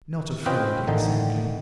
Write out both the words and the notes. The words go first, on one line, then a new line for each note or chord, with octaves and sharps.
"Not afraid, exactly."
C4 C#4 F4 B4 D#5 G5
A1 D3 D#3 D#4